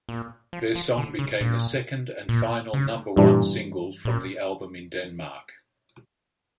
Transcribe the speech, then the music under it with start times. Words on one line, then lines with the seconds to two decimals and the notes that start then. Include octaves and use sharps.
The song became their second and final number-one single from the album in Denmark.
0.09 A#2
0.53 F3
0.75 F3
0.97 D3
1.19 C#3
1.41 A#2
2.29 A#2
2.74 C#3
3.16 G2 A#2 E3 G3 D4
4.05 A#2